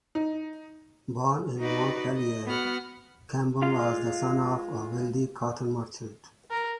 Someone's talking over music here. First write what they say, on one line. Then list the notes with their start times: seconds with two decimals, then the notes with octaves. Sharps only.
Born in Montpellier, Cambon was the son of a wealthy cotton merchant.
0.15 D#4
1.59 D#4 F#4 B4 D5
2.17 D#5
2.46 B3 F#4 F#5 F6
3.62 G#3 F4 F5 C6
6.51 A#4